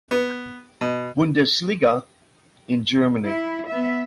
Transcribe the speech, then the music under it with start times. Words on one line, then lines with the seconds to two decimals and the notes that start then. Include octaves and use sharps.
Bundesliga in Germany.
0.11 B3
0.81 B2
3.27 E4
3.69 B3 E5